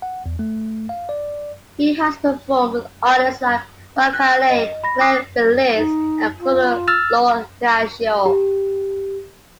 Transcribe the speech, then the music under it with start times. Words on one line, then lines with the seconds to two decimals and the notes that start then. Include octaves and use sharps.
He has performed with artists like Rakali, Glen Velez and Claudio Lo Cascio.
0.02 F#5
0.26 E2
0.39 A3
0.89 F5
1.09 D5
4.13 F#6
4.50 D#5
4.84 B5 A#6
5.00 D6 D#6 F#6 C7
5.76 D#4
6.38 F4
6.88 E6 F6 A6
8.26 G4